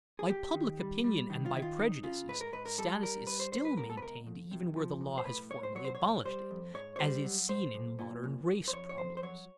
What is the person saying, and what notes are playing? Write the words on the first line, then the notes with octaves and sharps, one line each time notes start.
By public opinion and by prejudices, status is still maintained even where the law has formally abolished it, as is seen in modern race problems.
G#4
F#2 G4
D#3
G3
G3
D#3
F4
D#3 E4
F4
F#2 D#4
C#3 F4
G#2 B4
A#4
G#2 B4
A#4
G3 A4
G3 A#4
G2 B4
C5
G2 C5
B4
B2 A#4
A4
B4
C#2 A#4
F2
C3
F3
B1
C5
A2 B4
B1 C#5
C5
F#3 C#5
C5
C#5
B1
G3 C5
F2
G#2 C#5
C#5
G3 C5
F#3
B1 C5
B1
A#2
F#2
F#2
C5
F2 C#5
C#5
F2 C5
C5
F#3 C#5